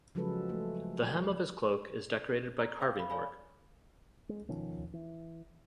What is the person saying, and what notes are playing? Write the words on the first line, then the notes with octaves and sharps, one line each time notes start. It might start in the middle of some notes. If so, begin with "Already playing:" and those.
The hem of his cloak is decorated by carving work.
C#3 F3 F#3 G#3 A4 B4
A3
A#5
C5 F5 G5 D6 G6
F5 B5
C#5 D5 F5 G#5 B5
G#3
B2 D#3 F3 C#4
E3